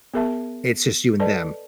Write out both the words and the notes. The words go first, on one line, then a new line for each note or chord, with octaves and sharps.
it's just you and them,
B3 G#4 A#4 E5 A5
A4 B4 D5 D#5 A5